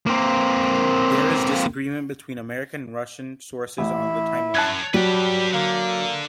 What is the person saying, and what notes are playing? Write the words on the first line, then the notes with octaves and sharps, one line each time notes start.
There is disagreement between American and Russian sources on the timeline.
A#3 C4
A1 E4
F#2 A5 F#6 G#6
F#3 G3 G4 B4
D3 A#3